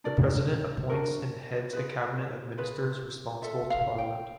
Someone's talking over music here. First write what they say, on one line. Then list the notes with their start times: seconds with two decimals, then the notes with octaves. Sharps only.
The President appoints and heads a cabinet of ministers responsible to Parliament.
0.04 D4 F#4 A#4 D5
0.89 D4 F#4 A#4
1.73 F4 G#4 B4
2.58 F4 G#4 B4
3.42 F4 A4 E5
3.70 F5
3.98 G5